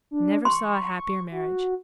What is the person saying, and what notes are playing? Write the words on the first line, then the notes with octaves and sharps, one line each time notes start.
"Never saw a happier marriage."
D4
C6 C#6
F#4